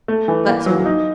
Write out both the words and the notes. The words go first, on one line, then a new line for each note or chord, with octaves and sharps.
That's all.'
A3
E3
A#3
F#3
D#4